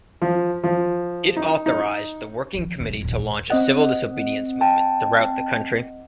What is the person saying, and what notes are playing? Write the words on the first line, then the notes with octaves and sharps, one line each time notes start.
It authorised the Working Committee to launch a civil disobedience movement throughout the country.
F3
F3
D#4
D#4
D#3 F3
E1 B1
A#1 D#2
C4 D#5 F#5
G5 A5